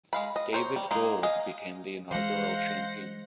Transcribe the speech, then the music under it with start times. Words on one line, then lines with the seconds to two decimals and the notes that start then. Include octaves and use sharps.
David Gold became the inaugural champion.
0.13 G#3 F5 B5
0.36 D#5
0.53 A#4 C5 C#5
0.76 G3
0.91 G#3 A#3 D#4 G#4
1.23 D#5 F5 G#5
2.11 E3 G#3 C5 F5 F#5 A#6